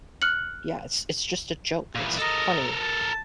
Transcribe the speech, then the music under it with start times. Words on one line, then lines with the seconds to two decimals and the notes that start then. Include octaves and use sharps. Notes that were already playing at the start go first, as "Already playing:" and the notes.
Yeah, it's it's just a joke; it's funny,
0.22 F6 F#6 C#7 F#7
1.95 A#2 E3
2.19 A4 A#4 D#5
2.82 A5